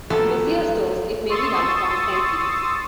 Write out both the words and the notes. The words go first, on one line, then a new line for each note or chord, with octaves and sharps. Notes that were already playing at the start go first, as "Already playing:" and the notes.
In busier stores it may be done constantly.
F3 F#3 A3 B3 G4 A4
C6 C#6 D#6 E6 A6